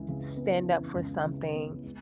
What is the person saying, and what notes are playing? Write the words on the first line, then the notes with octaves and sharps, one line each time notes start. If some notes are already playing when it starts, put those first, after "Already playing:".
stand up for something,
Already playing: C#2 E3
C#3
B3
E3
C#2
C#3
B3
G#3